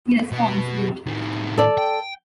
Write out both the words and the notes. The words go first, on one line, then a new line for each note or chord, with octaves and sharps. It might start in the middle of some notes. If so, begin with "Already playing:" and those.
He responds Didn't.
B2 B3
A2 D#3
A4 D5
G5